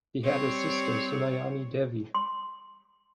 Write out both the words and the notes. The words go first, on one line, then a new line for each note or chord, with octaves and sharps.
He had a sister, Sunayani Devi.
G3 C4 C#5
C6